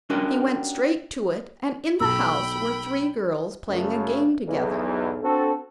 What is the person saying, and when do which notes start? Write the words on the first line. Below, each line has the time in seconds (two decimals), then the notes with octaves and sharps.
He went straight to it and in the house were three girls playing a game together.
0.10 C#4 D4 F#4 G4 A#4 D#5
2.00 B1 G5 B5 E6
3.70 F#2 C#3 A3
4.46 B1 E2
5.22 C4 D4 F#4 A4